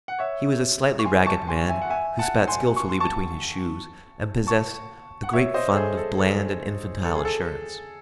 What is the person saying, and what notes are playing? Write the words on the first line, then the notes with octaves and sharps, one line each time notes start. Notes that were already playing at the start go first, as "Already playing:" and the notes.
He was a slightly ragged man, who spat skillfully between his shoes and possessed a great fund of bland and infantile assurance.
F#5
C#5 E5
C#6
G#5 C6
A5 C#6
G#5 C6
E5 G#5
F#5
E5 G#5
F#5 A5
G#5 C6
C#6
C6
A5 C#6
A5 C#6
F#5
C#5 E5
C5 D#5
A4
G#4 C5
A4
A4
A4
G#4
A4